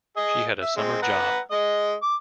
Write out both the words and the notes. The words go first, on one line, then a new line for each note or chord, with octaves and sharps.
She had a summer job.
G#4 D#5
E5
G#3 C4
B4 F#5 A#5
G#3 D#5
D6